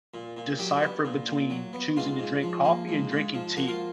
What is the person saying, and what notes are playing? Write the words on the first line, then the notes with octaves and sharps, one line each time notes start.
decipher between choosing to drink coffee and drinking tea?
A#2
A#2
F#3 G4
B3
A#2
A#2
F#3
B3
G#2 F4
G#2
F3
A#3
G#2
G#2
F3
A#3 F#4
F4